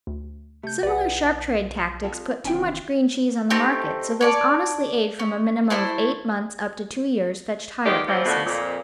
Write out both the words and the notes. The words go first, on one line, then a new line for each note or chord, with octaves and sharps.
Similar sharp-trade tactics put too much green cheese on the market, so those honestly aged from a minimum of eight months up to two years fetched higher prices.
D2
C3 A3 G6
B1 B4 D5 F#5
F4 A4 A5
F1 D#2 C3 E3 C#4 G5
A3 C4 D#4 G4
C#5 D5 A5
C#4
A3 E4 C5
D#3 G#3 B3 G4 D5
F3 G3 A#3 C4
B2 D3 F3 A3 F#4
F2 A#2